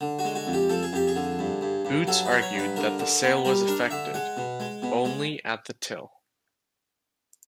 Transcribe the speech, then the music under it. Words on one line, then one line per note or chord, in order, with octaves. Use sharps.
Boots argued that the sale was effected only at the till.
D3
F#4
G#3
F#4
F2
G4
F3 A4
G#4
F2 G4
G#4
D3
G2
G2
G2
F#3 A4
B4
F#3
C#5
G2 B4
D3 A#4
D3
B3
G3 A#4
D4 A#4
D3 E5
G#3 F#5
B2
G#3
B2
G#3